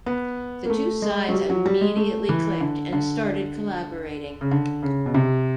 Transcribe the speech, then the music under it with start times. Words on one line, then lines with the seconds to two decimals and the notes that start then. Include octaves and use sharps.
The two sides immediately clicked and started collaborating.
0.06 B3
0.65 A#3
0.70 A3
1.02 G#3
1.29 F#3
1.33 G3
1.50 F#3
1.66 G3
1.81 G#3
1.96 A3
2.29 E3
2.61 D3
2.93 D3
4.41 C#3
4.51 D3
4.83 C#3
5.06 B2
5.14 C3